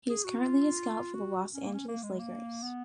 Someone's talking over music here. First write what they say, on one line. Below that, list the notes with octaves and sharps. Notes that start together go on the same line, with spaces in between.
He is currently a scout for the Los Angeles Lakers.
G#4
F#4
F4
F#4
C#4
A#3
C#4
A#3
G#3
A#3
B3